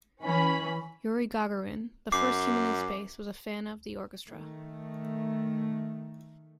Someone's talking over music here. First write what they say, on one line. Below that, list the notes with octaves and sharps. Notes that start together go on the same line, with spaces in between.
Yuri Gagarin, the first human in space, was a fan of the Orchestra.
E3 C#4 B5
F#2 D6 C7
D#3 A3